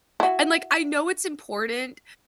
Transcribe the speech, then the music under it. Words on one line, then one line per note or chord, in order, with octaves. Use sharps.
and, like, I know it's important,
E4 F#4